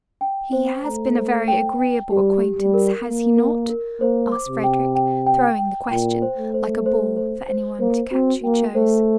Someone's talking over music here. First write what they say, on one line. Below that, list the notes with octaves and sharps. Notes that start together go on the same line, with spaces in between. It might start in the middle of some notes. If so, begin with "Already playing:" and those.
'He has been a very agreeable acquaintance, has he not?' asked Frederick, throwing the question like a ball for any one to catch who chose.
G5
C4 C5
A3 A#5
C5
G5
G5
G3 G4
G4
G3
A#4
A#3 A#4
A#4
A#4
A#3 C5
D6
C3
G5
G5
G5
G5
A#2 G5
C5
A3
C5
C5
C5
C5
A#3 C5
C4 F#4
A#3 G5
A3 C5